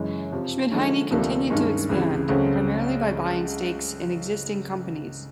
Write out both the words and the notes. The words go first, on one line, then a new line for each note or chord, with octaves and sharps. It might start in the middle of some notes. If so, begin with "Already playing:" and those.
Schmidheiny continued to expand, primarily by buying stakes in existing companies.
Already playing: F#2 C#3 E3 G#3
F2 C3 F3
D3 F3 G#3 C#4
D2 C3 F3 A#3 D4
G2 D#3 G#3 C#4
C#2 C3 E3
C#2 C#3 F#3 A3 C4